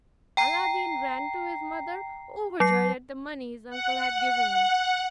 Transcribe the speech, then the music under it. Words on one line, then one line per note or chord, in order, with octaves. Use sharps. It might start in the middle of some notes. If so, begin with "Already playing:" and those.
Aladdin ran to his mother, overjoyed at the money his uncle had given him.
G5 A#5 C7
F#3 C7
F#5